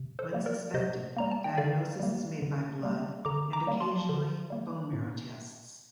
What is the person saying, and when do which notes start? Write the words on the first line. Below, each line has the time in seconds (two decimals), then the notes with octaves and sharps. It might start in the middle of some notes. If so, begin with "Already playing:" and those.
When suspected, diagnosis is made by blood and, occasionally, bone marrow tests.
Already playing: C3
0.19 A4 C5
0.33 G3 A#3
0.46 A#4 D5
0.74 C3 C5 D#5
1.17 G3 A#3 A#5
1.31 A5
1.44 G5
1.58 D3 D5 F5
2.00 G3 A#3
2.42 D3
2.83 G3 A#3
3.25 D3 A#5 D6
3.53 A#5 D6
3.67 G3 A#3
3.81 A5 C6
4.09 D3
4.50 G3 A#3
4.93 A2